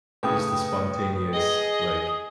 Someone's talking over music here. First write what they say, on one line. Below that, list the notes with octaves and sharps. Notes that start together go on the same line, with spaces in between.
Just the spontaneous, like
A2 C#3 B4 G5 D#6
G#4 D#5